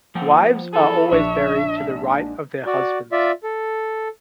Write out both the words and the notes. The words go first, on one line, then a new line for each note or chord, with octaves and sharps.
Wives are always buried to the right of their husbands.
F3 A#3 F#5 G5
E3 E4 G#4 A4
A#1 D4 C#5 E5
G#2
F#4 D5
F4 D5 E5
A4